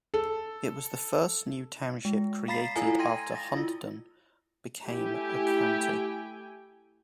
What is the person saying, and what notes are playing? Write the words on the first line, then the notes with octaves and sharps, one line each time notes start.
It was the first new township created after Hunterdon became a county.
A4
G#3
F5 A#5 B5 A6 B6 C7
E4 F4 A4 F5 G#5 A#5
G5 C6 G#6 A#6 D#7
A6 A#6
E4 F4
A3 E4 G4 G5 G#5